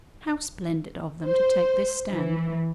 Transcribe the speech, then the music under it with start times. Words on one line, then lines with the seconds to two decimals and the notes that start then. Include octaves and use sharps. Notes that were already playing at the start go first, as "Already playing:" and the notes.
How splendid of them to take this stand!
1.25 C5
2.11 E3